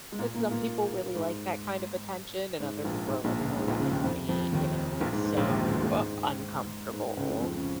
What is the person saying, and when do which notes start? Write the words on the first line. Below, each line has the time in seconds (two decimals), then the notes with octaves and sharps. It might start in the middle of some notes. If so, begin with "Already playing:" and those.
Some people really like that kind of attention and other people are like, "Oh, that makes me, you know, so u uncomfortable."
0.12 G#3
0.19 A#2 A#3
0.34 A#2 A#3
0.51 A#2 A#3
1.15 G#2
2.60 G#2
2.84 A#1 A#2
3.08 G#2
3.24 A#1 A#2
3.40 C#2 C#3
3.56 G#2
3.68 A#1 A#2
3.80 C#2 C#3
3.92 D#2 D#3
4.04 F2 F3
4.28 F2 F3
4.53 D#2 D#3
5.01 A#1 A#2
5.13 G#2
5.24 G#2
5.37 A#1 A#2
5.49 D#2 D#3
5.65 C#2 C#3
5.81 A#1 A#2
5.97 G#2
6.93 G#2
7.06 G#2
7.17 C#2 C#3
7.29 F2 F3
7.42 F2 F3
7.57 C#3 C#4